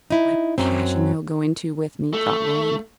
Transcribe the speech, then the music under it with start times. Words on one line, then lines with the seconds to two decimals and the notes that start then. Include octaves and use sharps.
"What a passion he'll go into with me!" thought Roland.
0.10 D#4 E4
0.58 F#2 F#3 C4
2.13 A3